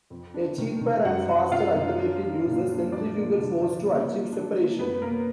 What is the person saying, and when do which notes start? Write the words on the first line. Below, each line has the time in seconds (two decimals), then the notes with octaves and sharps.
A cheaper and faster alternative uses centrifugal force to achieve separation.
0.10 F2
0.34 D4
0.58 D#3
0.81 D#3
1.05 F#2 F#4 F#5
1.29 F#2
1.51 F#2 F4 F5
1.74 F#2
1.98 D4
2.22 D4
2.45 A#2
2.69 D4
2.92 F3 D4 D5
3.16 A#3
3.38 D3
3.61 F3
3.85 A#3
4.09 A#3
4.32 D4
4.56 A#3
4.79 F#2 B3 B4
5.02 A#3 A#4